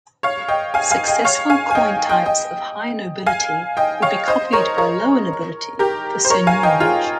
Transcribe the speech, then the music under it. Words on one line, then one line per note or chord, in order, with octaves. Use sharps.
Successful coin types of high nobility would be copied by lower nobility for seigniorage.
C#5 F5
D#5 G5
F5 G#5
F5 G#5
D#5 G5
C#5 F5
F5 G#5
G#5
D#5 G5
D#5 G5
D#5 G5
F5 G#5
D#5 G5
C#5 F5
C5 D#5
A#4 C#5
A#4 C#5
G4 A#4
C5
A#4 C#5
F5 G#5
D#5 G5
F4 G#4